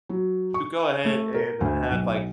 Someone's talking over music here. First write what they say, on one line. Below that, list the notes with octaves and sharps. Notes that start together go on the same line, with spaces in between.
You go ahead and, uh, have, like
F#3
C#6
A3
A#4
D2
B1